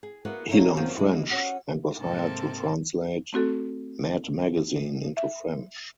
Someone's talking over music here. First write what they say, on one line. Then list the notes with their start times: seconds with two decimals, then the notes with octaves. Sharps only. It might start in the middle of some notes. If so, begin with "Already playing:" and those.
He learned French, and was hired to translate "Mad magazine" into French.
0.03 G#4
0.25 A#3 B3 E4 F#4 G#4
0.48 F#3 A#3 D#4 E4 A4
0.76 F#2 D#3 F3 A#3 C4 C#4
0.98 G#3 E4
1.30 C#4 F#4 F#5
1.98 G#2 C3 G#3 A#3 C4 A4
3.33 A3 C4 F#4 A4
5.17 E5